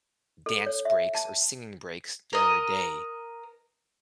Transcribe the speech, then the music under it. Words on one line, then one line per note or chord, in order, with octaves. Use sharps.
dance breaks or singing breaks during your day
A4
C#5
E5
A5
A#4 D#5